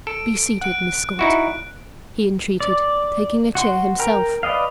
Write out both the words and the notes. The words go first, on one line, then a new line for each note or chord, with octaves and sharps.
"Be seated, Miss Scott," he entreated, taking a chair himself.
A4 D7
F#5 F#6 D7
D#4 E4 F#4
D5
F#4 F#5 C6
A#4 G5 A#5
B4 D5 D#5 F5